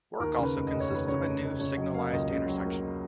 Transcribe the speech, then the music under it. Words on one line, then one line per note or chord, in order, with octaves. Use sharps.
Work also consists of a new signalized intersection.
D#2 A#4
C#3
B4
F1
D#5
F1
C#5
D#2 B4
C#3 C#5
F1
F1
C#3 C#5
F#3 D#5
A#3 F5
C#2 D#5
C#3 D#5
F#3
A#3